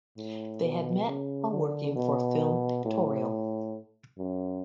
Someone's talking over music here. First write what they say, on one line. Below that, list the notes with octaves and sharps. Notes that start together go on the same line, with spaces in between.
They had met while working for "Film Pictorial".
A2
B2
C#3
D3
B2
A2
F#2